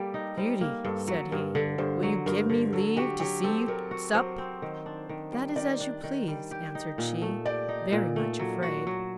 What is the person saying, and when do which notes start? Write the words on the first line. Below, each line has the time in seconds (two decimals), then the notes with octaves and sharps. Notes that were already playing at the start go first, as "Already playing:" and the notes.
"Beauty," said he, "will you give me leave to see you sup?" "That is as you please," answered she, very much afraid.
Already playing: G3 A#3 G4 A4
0.14 D#4
0.37 G3 C5
0.61 A#3
0.85 G2 A4
1.08 F#3
1.31 G2 A#4
1.55 D3
1.78 G2 C5
2.03 F#3
2.26 G2 A#4
2.50 D3
2.73 F#3 A4
2.97 F#4 G4
3.20 F#3 G4
3.44 C4 A4
3.68 F#3 A#4
3.91 F#4
4.14 F#3 C5
4.38 C4
4.62 D#3
4.86 D4
5.09 D#3
5.32 G3
5.56 D#3 D5
5.80 D4
6.04 D#3
6.28 G3
6.51 G4
6.75 D#4
6.98 A#2
7.22 A3
7.45 G4 D5
7.69 D#4
7.92 A#2
8.16 A3
8.39 F#3
8.63 F#4
8.87 F#3